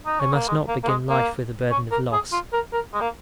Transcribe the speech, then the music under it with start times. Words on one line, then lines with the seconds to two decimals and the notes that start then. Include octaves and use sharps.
They must not begin life with a burden of loss.
0.06 D#4
0.20 C#4
0.34 A#3
0.48 G#3
0.68 A#3
0.84 A#3
0.88 G#3
1.10 A#3
1.71 C#4
1.91 A#4
2.12 G#4
2.32 F4
2.53 A#4
2.73 A#4
2.94 G#3
3.01 A#3